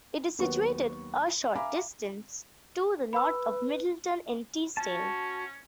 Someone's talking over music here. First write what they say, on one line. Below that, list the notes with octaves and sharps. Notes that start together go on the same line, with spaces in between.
It is situated a short distance to the north of Middleton-in-Teesdale.
D#2 F#3 B3 F#4 B4 C#6
E5 F5 G#5 A#5 B5 D6
B4 B5 E6
C#4 F#4 A5